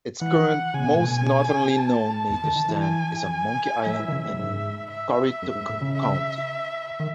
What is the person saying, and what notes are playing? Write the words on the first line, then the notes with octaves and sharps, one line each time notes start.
Its current most northerly known native stand is on Monkey Island in Currituck County.
E3 F#5
C#3 G#5
B2
A2
B2
A5
E2 A5
D#3
D#3
E3
G#5
F#3 E5
E3
D#3
C#3
A2
G#2
E5
F#2
G#2
A2
C#3
E5
D#3